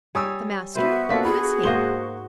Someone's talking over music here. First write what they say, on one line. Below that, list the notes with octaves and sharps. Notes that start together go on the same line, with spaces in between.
"The master?--who is he?"
G3 C#5 G#5 D#6 E6
B3 F#4 B4 C5 E5
A#3 C4 D4 F4 A4 B6
G#4 B5
G#2 A#3 C5 D#5 G7